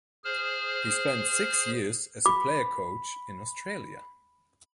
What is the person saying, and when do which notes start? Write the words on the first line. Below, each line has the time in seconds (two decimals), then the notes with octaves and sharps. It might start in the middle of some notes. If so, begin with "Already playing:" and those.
He spent six years as a player-coach in Australia.
0.24 G#4 C5 F6
2.26 B5 D6